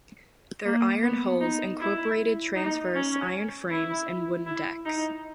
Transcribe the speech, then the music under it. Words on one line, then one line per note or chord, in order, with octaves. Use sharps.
Their iron hulls incorporated transverse iron frames and wooden decks.
A#3
B3
D#4
E4
D#4
C#4
E4
E4
D#4